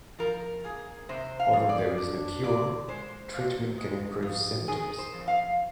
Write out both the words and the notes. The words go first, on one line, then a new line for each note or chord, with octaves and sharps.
Although there is no cure, treatment can improve symptoms.
F3 A#4
A#3 G#4
C3 C5
F5
F2
D5
D4
A#2 D5
G#3 C5
A#2
G#3
F2
D#3 G#4
C5
F2
F5